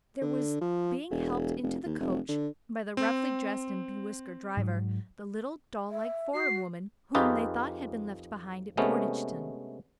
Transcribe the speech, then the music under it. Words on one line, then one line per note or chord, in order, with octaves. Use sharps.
There was being helped into the coach by the roughly dressed and bewhiskered driver, the little, doll-like, foreign woman whom they thought had been left behind at Portageton.
D3
F3
E1
F1
D#2
F1
D3
C4
G#2 F#3
E5
F#4 C7
F2 D#4 F4 G4 G#4 B4
C3 G#3 A3 B3 C#4